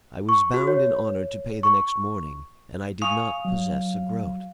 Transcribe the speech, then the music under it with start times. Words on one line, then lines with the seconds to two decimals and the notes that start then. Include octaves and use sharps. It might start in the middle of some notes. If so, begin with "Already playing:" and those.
I was bound in honour to pay the next morning, and I did not possess a groat.
0.29 C#6
0.54 F#4
0.67 C#5
1.63 C#6
3.02 F5 G#5 C#6 D#6
3.45 F#3